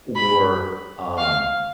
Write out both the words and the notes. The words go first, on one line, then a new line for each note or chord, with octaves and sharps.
or, um,
B5
F5